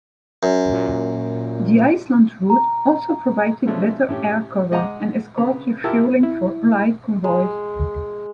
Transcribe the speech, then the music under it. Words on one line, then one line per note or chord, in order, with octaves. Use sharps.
The Iceland route also provided better air cover and escort refuelling for allied convoys.
F#2
A#2
A#5
B2 F3 G#3 A3 C#4 D4
A2 C#4 G4
G#3 D#5 F#5 A#5 D6
C#3 B3 A#5
E4 F4 G4 A#4 A5 E6
E4
G#3